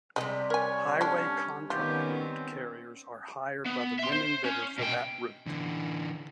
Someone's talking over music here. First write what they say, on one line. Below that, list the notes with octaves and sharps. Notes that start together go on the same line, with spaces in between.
Highway Contract Route carriers are hired by the winning bidder for that route.
C3 G3 G#3 D#5
A#4 C#5 G#5
D3 C#4 D4
D#3 B3 C#4 F4 G4
C4
B3
E5 C6
C5
C#4
B2 G5
D3 E3